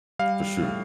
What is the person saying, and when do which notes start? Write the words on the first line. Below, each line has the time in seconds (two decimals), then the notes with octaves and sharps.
For sure.
0.19 G3 F5
0.62 A2